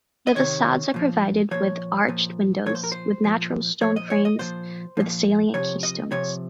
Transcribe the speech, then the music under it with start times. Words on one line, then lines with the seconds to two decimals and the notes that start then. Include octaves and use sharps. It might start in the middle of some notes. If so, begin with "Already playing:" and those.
The facades are provided with arched windows with natural stone frames with salient keystones.
0.27 D#5
0.36 C3 D#3 C#5
0.94 A#2 F3
1.51 A#2 F3 C#5
2.08 A#2 F3
2.66 A#2 F3 C#5
2.75 C5
2.83 A#4
2.92 C5
3.24 A#2 F3
3.81 A#2 F3 C#5
3.96 D#5
4.10 C#5
4.25 D#5
4.39 A#2 F3 C5
4.97 A#2 F3
5.54 C3 F3 C#5
5.83 D#5
6.11 C3 F3 C#5